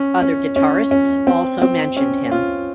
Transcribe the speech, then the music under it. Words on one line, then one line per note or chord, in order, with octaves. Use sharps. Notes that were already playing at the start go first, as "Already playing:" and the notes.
Other guitarists also mentioned him.
Already playing: C#4
C#4
C#4
C#4
C4
C4
C#4
F4